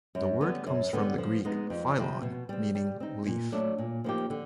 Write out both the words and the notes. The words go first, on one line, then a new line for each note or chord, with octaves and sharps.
The word comes from the Greek "phyllon", meaning "leaf".
F#2
D3 G3 B3
F#2
D3 G3 B3
F3
G#3 B3 D#4
F2
C3 F3
B2
G3 C4
G3
C4 D#4
A#2
F#3 A3 D4
A#2
F3 A#3 D#4 G4
D3